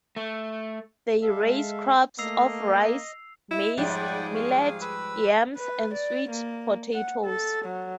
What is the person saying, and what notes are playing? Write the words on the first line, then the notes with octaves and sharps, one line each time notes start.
They raise crops of rice, maize, millet, yams, and sweet potatoes.
A3
G#3 A4 E5 F5
A3 A#3 D#5 E6 C7 F7
E4 D#5 E5
G#2 F3 G3 G#4 C#5 D5 F#5 G5
F5 C#6
B4 B5 E6
B4
D5
A#3
F#5
A4
F#3